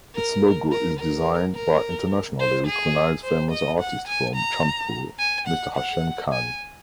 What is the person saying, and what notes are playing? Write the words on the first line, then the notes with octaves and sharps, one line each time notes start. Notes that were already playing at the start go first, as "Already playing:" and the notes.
Its logo is designed by internationally recognized famous artist from Chandpur, Mr. Hashem Khan.
A#4
A#4
A#4
A#4
C5
G#4
C5
D#5
F#5
G#5
A#5
G#5
F#5
F#5
G#5